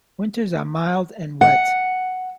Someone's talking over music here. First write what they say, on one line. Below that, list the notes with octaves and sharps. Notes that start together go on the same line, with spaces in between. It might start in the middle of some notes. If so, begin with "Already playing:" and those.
Winters are mild and wet.
F#5